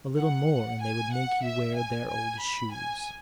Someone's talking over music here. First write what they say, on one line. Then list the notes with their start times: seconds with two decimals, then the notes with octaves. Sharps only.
A little more, and they would make you wear their old shoes.
0.18 F#5
0.82 G#5
1.13 F#5
1.45 E5
1.77 G#5
2.08 G#5
2.40 B5
2.72 G#5